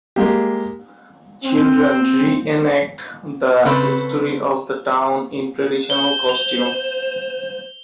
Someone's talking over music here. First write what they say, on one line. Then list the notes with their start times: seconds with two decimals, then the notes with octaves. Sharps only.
Children re-enact the history of the town in traditional costume.
0.16 G#3 A#3 G4
1.44 C4
3.65 C#3 C4 A4 B4 C#5
5.90 C5 G7
6.29 F7 G7